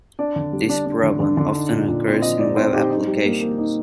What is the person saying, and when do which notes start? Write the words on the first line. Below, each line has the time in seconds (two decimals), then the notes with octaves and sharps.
This problem often occurs in web applications.
0.19 D4 D5
0.36 D3
0.53 G3
0.69 D4
0.86 D4
1.03 D3
1.20 D3
1.37 D3
1.54 D#4
1.71 A#2
1.88 A#2
2.05 C4
2.22 F3 D#5
2.40 D#4 D5
2.56 C4 C5
2.73 D#4 G4
2.90 D#4
3.07 G3
3.24 A#3
3.41 A#3
3.58 D#4